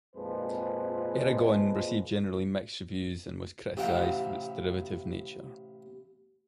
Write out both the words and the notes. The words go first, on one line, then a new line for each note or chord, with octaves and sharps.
"Eragon" received generally mixed reviews and was criticized for its derivative nature.
G#1 F2 A#2 F3 G#3 B4
A1 C3 F4 F#5 G5